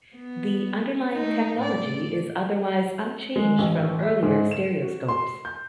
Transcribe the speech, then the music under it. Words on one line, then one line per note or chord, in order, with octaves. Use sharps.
The underlying technology is otherwise unchanged from earlier stereoscopes.
B3
A3 D#4
A2 D5
G#3
A1
E5
G#2
E7
F#4
C6
G6